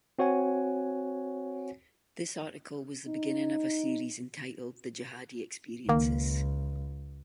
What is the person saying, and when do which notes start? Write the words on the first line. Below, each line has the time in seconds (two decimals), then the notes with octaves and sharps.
This article was the beginning of a series entitled "The Jihadi experiences".
0.19 C4 F#4 C#5 F#5 G#5
3.07 D#4
5.89 C#2 D#3 A#3